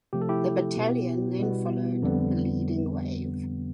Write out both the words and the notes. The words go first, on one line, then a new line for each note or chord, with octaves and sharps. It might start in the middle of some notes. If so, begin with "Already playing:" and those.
The battalion then followed the leading wave.
C3 F3 A3 G4
A4
E4 G4
B2 B3
B2 G3 B3
F2 D3 G3 B3